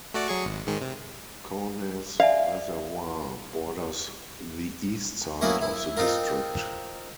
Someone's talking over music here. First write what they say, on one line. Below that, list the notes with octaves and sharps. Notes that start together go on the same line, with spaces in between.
Kaunas Reservoir borders the east side of the district.
A3 F#4 D5
F#3 G#4 C#6
G#1
G#2 D#3 G#3
C3
D5 E5 F5 G#5
F#3 A#3 B3 C#4 E4 A#4
E4
C4 D#4 F4 A#4